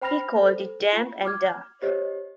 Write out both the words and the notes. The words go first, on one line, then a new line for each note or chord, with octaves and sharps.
He called it damp and dark.
C5 G5 B5 F6 A#6 F7
A4 C5
F4
D6 F6 G#6
G4 C5 C#5 D#5